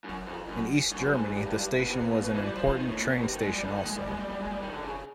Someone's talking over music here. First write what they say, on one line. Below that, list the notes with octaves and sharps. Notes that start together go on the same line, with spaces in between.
In East Germany the station was an important train station also.
F#2
F2
F#2
F#2
G2
G#2
G#2
G2
G2
G2
B2
C3
B2
A#2
B2
E3
G3
F3
F3
D#3
A2
A#2
B2
C3
D#3
G#3
G3
D3
D#3
G#3
G3
G#3
G3
G3
G#3
G3
D#3
D3
C#3